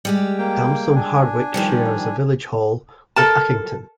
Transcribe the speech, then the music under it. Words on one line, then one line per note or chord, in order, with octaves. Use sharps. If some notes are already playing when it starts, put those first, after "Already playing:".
Elmstone Hardwicke shares a village hall with Uckington.
G3 G#3 G4
A#3 G5
D4 G#5
D#3 F3 G3
A4 A#4 A5